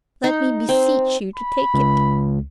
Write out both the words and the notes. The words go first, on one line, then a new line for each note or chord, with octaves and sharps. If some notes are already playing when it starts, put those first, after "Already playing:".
"Let me beseech you to take it."
D#4
C4
B5
C#2